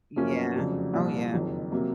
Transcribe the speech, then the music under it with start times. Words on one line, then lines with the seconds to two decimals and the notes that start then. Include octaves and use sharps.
Yeah. Oh, yeah.
0.16 F#2 F3 A#3 C#4
0.55 F1 F2 C#3 F#3
0.94 C2 A#2 F3
1.33 F#1 F2 D#3
1.72 C3 F#3 A#3